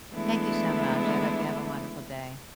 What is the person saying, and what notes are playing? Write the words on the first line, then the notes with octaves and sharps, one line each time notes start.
Thank you so much, I hope you have a wonderful day,
E3 G#3 A3 B3 D4 E4